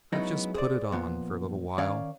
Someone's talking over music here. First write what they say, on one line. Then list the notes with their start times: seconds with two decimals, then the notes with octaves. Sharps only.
I've just put it on for a little while.
0.13 F#3 G#3 B3 C#4 D#4 E4
0.54 G#4 C5 D5
0.92 A#2 F3 B3
1.78 D#3 C#4 C#5 D5 F5 G#5